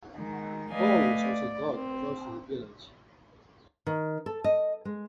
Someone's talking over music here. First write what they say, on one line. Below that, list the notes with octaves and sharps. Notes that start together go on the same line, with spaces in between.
Coal was also dug close to the village.
D#3 G#3
A3 B4 D5 D#5 F5 G#5
D5
C4
D#3
A4
D#5
G#3